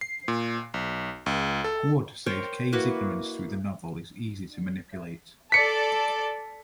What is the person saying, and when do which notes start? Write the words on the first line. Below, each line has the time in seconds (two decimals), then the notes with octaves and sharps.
Wood says Kaye's ignorance through the novel is easy to manipulate.
0.01 C7
0.28 A#2
0.74 B1
1.26 C#2
1.64 A4
2.26 A#4 C5 C#5 G5
2.73 A#3 E4 F#4 B4
5.52 A4 D5 B6 C#7